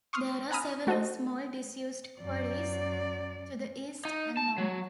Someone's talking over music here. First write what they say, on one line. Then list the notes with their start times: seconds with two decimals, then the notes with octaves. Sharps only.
There are several small disused quarries to the east and north.
0.13 C6 C#6 D#6 F6 C7
0.51 F#5 G#5 A#5 B5 D#6 F6
0.87 A3 F#4 A4 C5 D#5
2.20 F#2 D5
4.05 D#4
4.37 A5
4.58 F#3